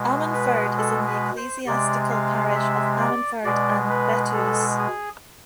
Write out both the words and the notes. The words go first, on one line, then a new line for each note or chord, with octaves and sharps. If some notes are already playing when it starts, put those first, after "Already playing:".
Ammanford is in the ecclesiastical parish of Ammanford and Betws.
Already playing: B2 G#3
B4
A4
B4
C5
C3 G#3 D5
F5
E5
D5
B2 G#3 D5
B4
A4
G#4